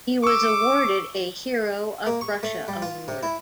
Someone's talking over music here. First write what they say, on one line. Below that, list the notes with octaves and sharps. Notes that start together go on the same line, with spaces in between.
He was awarded a Hero of Russia award.
C#6 D6 E6
A#3
C#6
A3
G3
F4
C3
E4